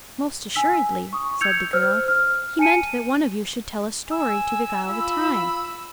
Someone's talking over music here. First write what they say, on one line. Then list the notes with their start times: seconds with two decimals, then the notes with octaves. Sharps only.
"Most assuredly," said the girl; "he meant that one of you should tell a story to beguile the time."
0.55 G#5 E6 B6
1.13 C#6 D#6
1.41 E6 G6 G#6 C#7 F7
1.73 C5 E6 F6
2.08 F6
2.59 G#5 A5 C#7 D#7
4.11 G#5 E6
4.90 F4 B5